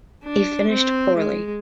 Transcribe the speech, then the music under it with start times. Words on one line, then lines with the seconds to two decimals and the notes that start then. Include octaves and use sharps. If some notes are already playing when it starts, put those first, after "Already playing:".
He finished poorly.
0.24 D4
0.70 C4
1.17 G#3